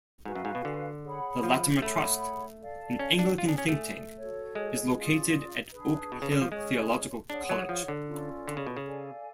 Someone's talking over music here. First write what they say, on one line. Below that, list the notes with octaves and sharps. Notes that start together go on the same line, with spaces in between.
The Latimer Trust, an Anglican think tank, is located at Oak Hill Theological College.
G#2 F#4 B4 F5 G#5
F#2
G#2
B2
D3
G#4 C#5 F#5 B5
F3
A3 G#4 C#5 F#5 B5
A4 D5 F5 A5
C#4
D4
F4 G#4 D5 G#5
D4
C#4
A3
F#4 A4 C#5
G#3
C#4 F4 G#4 D5
D4 G#4 B4
B2
C#3
D3
F3
G#3 C#4 G#4 C#5
D4 G#4 C#5 F#5
F#3
F3
D3
C#4 F4 A4 D5
D3
C#3
B2
C#3
A4 D5 F5 G#5